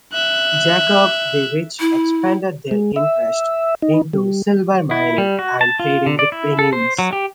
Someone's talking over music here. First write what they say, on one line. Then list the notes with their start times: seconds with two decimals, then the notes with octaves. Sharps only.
Jakob the Rich expanded their interests into silver mining and trading with Venice.
0.14 E5 F#6
1.80 E4
2.71 G#3
2.96 E5
3.82 D#4
4.13 G3
4.91 E4
5.18 G3
5.39 F#4
5.61 A5
5.80 F4
6.06 D3
6.19 D5
6.32 E4
6.59 A4
6.73 C5
6.99 F#3
7.13 G4